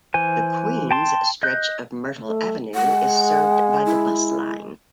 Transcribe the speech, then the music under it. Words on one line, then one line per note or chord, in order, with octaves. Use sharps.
The Queens stretch of Myrtle Avenue is served by the bus line.
E3 C5 G#5
G5 A5 C6
D#5 F#6 G6
A3
G#3 F#5
E4